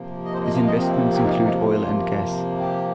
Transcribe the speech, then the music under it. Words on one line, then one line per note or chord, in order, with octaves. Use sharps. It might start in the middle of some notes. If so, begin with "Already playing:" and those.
His investments include oil and gas.
Already playing: C3 F3 A#3
D#5
C5
D#5
F5
D#5
C4
C4
D#4
D#4
C3 F3 A#3 F4
G4